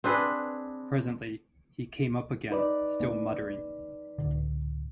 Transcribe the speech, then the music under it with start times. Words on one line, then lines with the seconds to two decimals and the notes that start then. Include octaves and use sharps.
Presently he came up again, still muttering.
0.04 C4 D4 G#4 B4
2.51 D#4 B4 D5
3.00 A#3 C#4
4.18 C#2 A2 D3